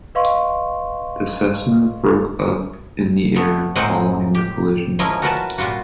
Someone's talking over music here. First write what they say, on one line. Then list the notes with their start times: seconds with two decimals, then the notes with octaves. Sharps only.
The Cessna broke up in the air following the collision.
0.15 B4 D#5 F5 C6 C#6
3.36 A3 B3
3.75 A2 G#3 A#3 C4 C5 F#5
4.35 G4
4.99 F3 G#3 C#4 E4 A#4
5.22 F#4 A#4 B4 A5
5.58 A#2 G3 F4 F#4